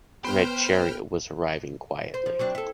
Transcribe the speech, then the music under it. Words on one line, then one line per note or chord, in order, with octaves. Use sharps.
Red chariot was arriving quietly.
B3 B4 C5 G5 F6
C5
F3
F#3 C4 D4
E4 A4